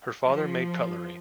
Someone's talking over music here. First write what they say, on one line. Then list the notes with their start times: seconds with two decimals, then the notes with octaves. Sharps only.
Her father made cutlery.
0.24 F3